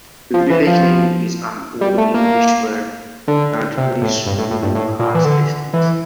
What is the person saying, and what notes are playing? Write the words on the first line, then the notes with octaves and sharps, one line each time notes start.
The village name is an Old English language word, and means 'Luhha's estate'.
F3
E3
F3
G3
A3
A#3
D3
C3
A2
G2
A2
A2
G2
A2
A#2
E3
D3
E3